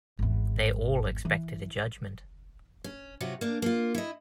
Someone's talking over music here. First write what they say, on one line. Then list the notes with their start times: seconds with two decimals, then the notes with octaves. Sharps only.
They all expected a judgment.
0.19 G#1 E2
1.25 E3
2.84 C#4
3.21 C3 F#3 F4 F#4
3.41 A#3 D4
3.62 A#3 F4
3.95 E4 D#5